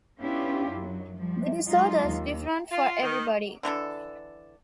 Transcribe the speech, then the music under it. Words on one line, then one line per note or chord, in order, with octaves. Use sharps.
The disorder's different for everybody.
B3 C#4 D4 E4 F4 G4
F#2 F#3
F3 G3
F#3 G#3 D#4 F4
D#2
F4
D#3
D3 E3 D4 A4